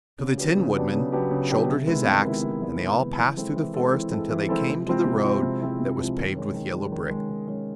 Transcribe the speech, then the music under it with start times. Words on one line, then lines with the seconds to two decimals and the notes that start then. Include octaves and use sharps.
So the Tin Woodman shouldered his axe and they all passed through the forest until they came to the road that was paved with yellow brick.
0.19 C#3
0.38 F#3 B3 D4 G4
0.57 C#3
0.76 F#3 B3 D4 G4
0.94 C#3
1.12 F#3 B3 D4 G4
1.31 C#3
1.51 F#3 B3 D4 G4
1.69 C3
1.87 D#3 G#3 B3 E4
2.05 C3
2.25 D#3 G#3 B3 E4
2.43 C3
2.62 D#3 G#3 B3 E4
2.81 C3
3.00 D#3 G#3 B3 E4
3.18 E3
3.37 G#3 C4 E4 A4
3.56 E3
3.74 G#3 C4 E4 A4
3.93 E3
4.11 G#3 C4 E4 A4
4.31 E3
4.49 G#3 C4 E4 A4
4.68 C3
4.86 F3 G#3 C4 E4
5.04 C3
5.24 F3 G#3 C4 E4
5.42 C3
5.61 F3 G#3 C4 E4
5.79 C3
5.98 F3 G#3 C4 E4
6.18 D#3
6.36 G#3 C#4
6.54 D#3
6.73 G#3 C#4
6.92 D#3
7.11 G#3 C#4
7.30 D#3
7.47 G#3 C#4